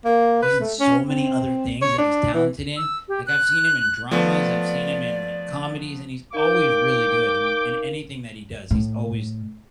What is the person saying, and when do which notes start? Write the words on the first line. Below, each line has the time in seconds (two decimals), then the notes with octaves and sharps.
he's in so many other things that he's talented in. Like, I've seen him in dramas, I've seen him in, like, comedies, and he's always really good in in anything that he does, he's always
0.05 A#3
0.42 B4
0.60 A3
0.79 C#4
1.06 C4
1.82 C#5
1.98 D4
2.34 E3
2.77 E6
3.08 G4
3.27 F#6
4.11 F3 A3 B3 D5
6.33 D#4 A#4 F5 G5 D6
8.71 A2